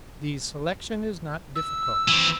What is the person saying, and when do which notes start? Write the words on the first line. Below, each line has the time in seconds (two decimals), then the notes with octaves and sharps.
The selection is not difficult.
1.55 E6
2.08 E3 C4